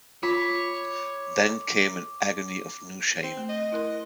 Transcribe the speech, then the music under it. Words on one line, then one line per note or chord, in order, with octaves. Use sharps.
Then came an agony of new shame.
F4 C#5 B5 D6
C4
A3
D#5
E4 A#4 C6